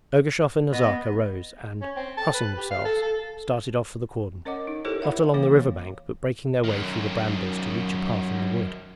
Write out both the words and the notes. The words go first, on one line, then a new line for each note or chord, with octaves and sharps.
Ergushov and Nazarka rose and, crossing themselves, started off for the cordon--not along the riverbank but breaking their way through the brambles to reach a path in the wood.
B3 D#5
C#4
C4
A5
B4
G4
F5
A4
A4
C#4 A#4 C#5 D#5 F#5 D6
D#4
E4 G4 A4 A#4 C5 C#5
C#5 E5 F#5 B5
E3 A#3 C#5 F5
F#2 D#3